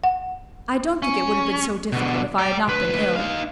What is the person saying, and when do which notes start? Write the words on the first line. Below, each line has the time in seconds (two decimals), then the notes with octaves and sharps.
"I don't think it would have been so difficult if I had not been ill."
0.04 F#5
1.02 C#4
1.92 B2 D3
2.38 D5 G5
2.68 D2 B4
3.16 D#4 F5